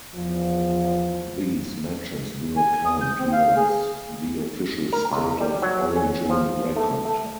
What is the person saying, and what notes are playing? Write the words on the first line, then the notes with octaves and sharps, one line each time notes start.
These matches do not count towards the official state of origin record.
E2 F3
G#5
D#6
G6
C4
F5
G#4
A#4
C#2
G3
F#3
C#4
F3
A3
A3